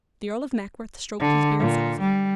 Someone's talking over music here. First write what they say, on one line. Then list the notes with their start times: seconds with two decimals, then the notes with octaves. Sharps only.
The Earl of Mackworth stroked his beard softly.
1.20 D3
1.60 A#2
2.00 G3